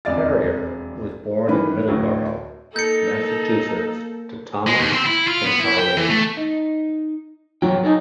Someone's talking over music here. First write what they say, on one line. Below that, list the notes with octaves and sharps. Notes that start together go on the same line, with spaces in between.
Carrier was born in Middleborough, Massachusetts to Thomas and Carleen.
E1 F2 G#3 D5 E5 A6
G2 D#3 E3 B4 B5
D2 A2 F#3
A#3 D#4 A4 G6 C#7
G#3
D#2
C4
E4
F4
B3
E4
G5
E3
A3
D#4
G2 E3 F#3 C#5 G5
D#4 A4 C#5 G#5